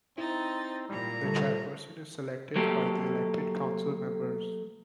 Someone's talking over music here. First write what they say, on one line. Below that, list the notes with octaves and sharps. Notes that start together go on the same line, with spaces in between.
The chairperson is selected by the elected council members.
C4 D#4 E4 A6
A#2 G3 A#5
D3 G3 A3 A4
F#3 A3 A#3 G4 A4